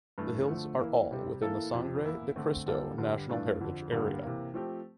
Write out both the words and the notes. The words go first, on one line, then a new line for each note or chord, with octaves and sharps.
The Hills are all within the Sangre de Cristo National Heritage Area.
G2 E3 A3
D3 F3 A3
E3 A#3 E4
C3 G3 C4
A2 E3 A#3 E4 A4
F2 C3 F3
E2 E3 A#3 E4
D3 A3 C4
D3 G3 A#3 F4 A4
G2 D3 G3
G2 E3 A3 D4 F4
F2 D3 F3
G2 D3 G3 A#3
C3 E3 A#3
F3 A3 C4 G4